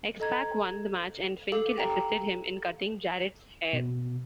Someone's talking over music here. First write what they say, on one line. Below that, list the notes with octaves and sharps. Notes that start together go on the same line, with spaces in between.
X-Pac won the match and Finkel assisted him in cutting Jarrett's hair.
A4 D#5 A#5 G#6
A4 F5 D6
G4 G5 A#5
B2